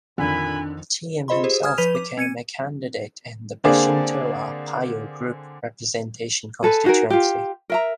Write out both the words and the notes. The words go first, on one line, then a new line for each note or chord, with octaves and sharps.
Chiam himself became a candidate in the Bishan-Toa Payoh Group Representation Constituency.
F2 A#2 D3 D#3 G#5 B5
F4 G#4 C5 D#5 B5 C6
G4 G#4 C5
G#5 D#6 F6 G#6
F3 B4 B5 B6 D#7 F7
D6
C4 G#6 C#7 D#7
D3 A#3 C4 D4 G#4 D5
G#4 A4 B4
D#4 F#4 G#4 A#4
F4 G4
A#4 E5 A#5